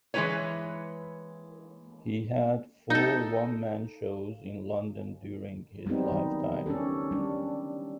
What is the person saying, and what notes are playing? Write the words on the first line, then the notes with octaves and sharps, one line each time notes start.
He had four one man shows in London during his lifetime.
E3 G#3 D#4 E4 B4 C#5
D#4 A4
F#3 G3 B3 C4 D#4
D#3
C#4 D4 G4 A4
G3 D4